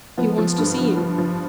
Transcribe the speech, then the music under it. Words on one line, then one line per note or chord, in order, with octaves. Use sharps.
She wants to see you.
F3 B3
F3
G2
F3
F3
F3